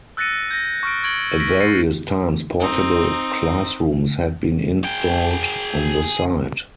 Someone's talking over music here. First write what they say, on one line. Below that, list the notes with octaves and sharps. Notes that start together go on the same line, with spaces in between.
At various times portable classrooms had been installed on the site.
E6 F#6 A6 A#6 C#7 D#7
G6 A#6
C#6 F6 D7
C#6 G#6 D7 F#7 G7
A#6 B6 D7
C#6 A6 A#6 C7 C#7 D#7
C4 D#4
G#4 G5